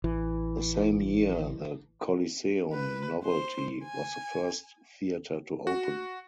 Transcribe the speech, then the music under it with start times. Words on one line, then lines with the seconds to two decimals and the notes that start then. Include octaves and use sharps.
The same year "The Coliseum Novelty" was the first theater to open.
0.04 A1 E3
2.73 B4
3.24 C5
3.85 G#5
5.67 F#4